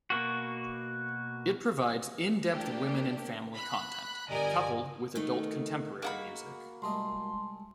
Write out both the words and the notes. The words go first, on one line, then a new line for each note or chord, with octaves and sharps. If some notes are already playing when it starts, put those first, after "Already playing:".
It provides in-depth women and family content, coupled with adult contemporary music.
B2 A#3 F#4
A3 A#3 D4 G4
B5 F#6
G1 G3 A#4 D5 D#5 G#5
D#3 A3
G#3 A#3 F#4 B5
C2 G#3 A3 D#5 A5 C6